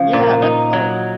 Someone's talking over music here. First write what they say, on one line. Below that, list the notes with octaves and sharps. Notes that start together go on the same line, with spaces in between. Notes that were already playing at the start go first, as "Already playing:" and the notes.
Yeah. That's Oh
Already playing: C#3 F3
A#2
D#4
F#3